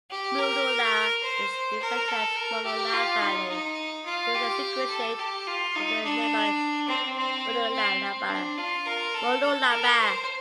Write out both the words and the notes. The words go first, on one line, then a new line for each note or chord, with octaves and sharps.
Mooloolah is referred to as Mooloolah Valley to distinguish it from the nearby Mooloolaba.
G4
A#4
C5
A#4
A4
A#4
G4
F4
D#4
D#4
F4
G4
A4
G4
F4
D#4
D4
C4
C4
C4
C4
D4
F4
A#4
A4
A4
A#4
C5